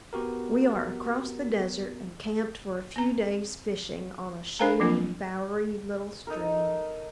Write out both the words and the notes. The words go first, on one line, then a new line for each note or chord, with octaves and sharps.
We are across the desert, and camped for a few days' fishing on a shady, bowery little stream.
B3 F#4 G4 A#4
C4 A#5
D4 A#4 C5 F5 G#5 A#5
F3 F#3 A#3 C4 D4 F4
D#4 A4 A#4